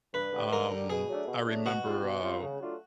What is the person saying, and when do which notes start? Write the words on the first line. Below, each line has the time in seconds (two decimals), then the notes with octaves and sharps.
Um, I remember, uh,
0.14 G2 B4
0.33 D3 G3
0.52 G2 A#4
0.71 D3 G3
0.90 B2 G#4
1.09 F#3 A3 D4
1.28 B2
1.47 F#3 A3 D4
1.65 B2 F#4
1.85 G3 C4 F4
2.04 B2
2.22 G3 C4 F4
2.42 C#3
2.60 F#3 A3 D4 F4